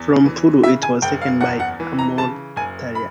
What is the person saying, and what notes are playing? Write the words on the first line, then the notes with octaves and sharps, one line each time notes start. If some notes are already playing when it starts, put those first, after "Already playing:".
From Puru it was taken by Amurtarya.
Already playing: E2
E3
C#3 E5
G#5
F#1 G5
F5
E2 F#5
F#5
E3
A#5
C#3 A5
F#1 G#5
B5